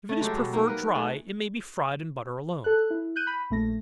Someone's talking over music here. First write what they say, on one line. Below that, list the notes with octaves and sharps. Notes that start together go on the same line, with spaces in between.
If it is preferred dry, it may be fried in butter alone.
A3
F#3 G#3 G4 A4
B2
A#3 D#4
A#4 B4
A3 G#4
A4 F#6
E4
F#6 G6 D#7
B5
A#1 A3 A#6